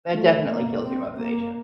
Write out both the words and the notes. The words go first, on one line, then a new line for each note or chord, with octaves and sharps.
That definitely kills your motivation.
A3
A#3
C4
A#3